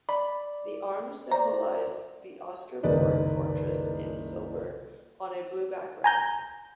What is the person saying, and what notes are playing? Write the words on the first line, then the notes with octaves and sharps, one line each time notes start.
The arms symbolize the Oscarsborg Fortress in silver on a blue background.
D5 B5
C5 D5 A#5
F#1 C2 D#3 B4 D5 D#5
G#5 A#5 G6